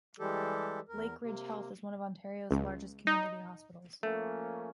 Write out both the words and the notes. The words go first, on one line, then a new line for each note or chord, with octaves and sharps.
Lakeridge Health is one of Ontario's largest community hospitals.
E3 G3 G#3 G4 A4
E2 A#4
C3 A#3
C#2
D#4
F3 A3 A#3 C#4